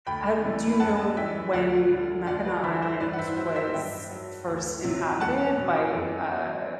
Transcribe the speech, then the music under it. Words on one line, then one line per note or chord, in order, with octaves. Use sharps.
uh, do you know when Mackinac Island was first inhabited by, uh
D2 G5 B5
C3 E3 G3
B5
F#2 F#5 A5
E3 G3 E5 G5
D2 D5 F#5
D3 G3
D2 D5 F#5
B4 D5
D3 G3 C5 E5
C5 E5
G2 B4 D5
F#5
C5 E5
F#3 C5 E5
C5 E5
G2 E5 G5
F#3
D2
C3 F#3
E2 F#5 A5
B2 F#3
F#2
F#3